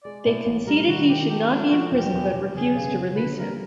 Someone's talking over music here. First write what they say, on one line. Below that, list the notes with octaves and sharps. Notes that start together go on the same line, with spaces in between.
They conceded he should not be imprisoned but refused to release him.
G#3 D5
A2 D5
A1
G3 A#4
D#3 F#4
D#3 G4
A3 G4
F3 D4
F3 F#4
E2 G4
E2
E2
F#1 G#4
C#3
F#1
D3 B4
G3 A#4